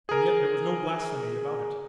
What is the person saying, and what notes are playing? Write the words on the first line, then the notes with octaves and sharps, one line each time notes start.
And yet there was no blasphemy about it.
G#4 A#4